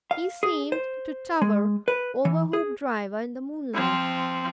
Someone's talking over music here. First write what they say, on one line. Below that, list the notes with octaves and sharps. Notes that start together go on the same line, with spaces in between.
He seemed to tower over Hoopdriver in the moonlight.
F5
G#4
C5
G#3
B4
E3
G#4
F3 C4